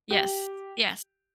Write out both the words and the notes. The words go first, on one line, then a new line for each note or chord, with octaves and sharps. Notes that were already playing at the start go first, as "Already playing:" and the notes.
Yes, yes.
G4